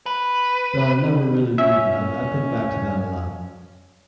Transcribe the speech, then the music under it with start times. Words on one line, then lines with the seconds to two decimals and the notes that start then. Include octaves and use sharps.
that'll never really leave me, I I think back to that a lot.
0.06 B4
1.58 C#4 E5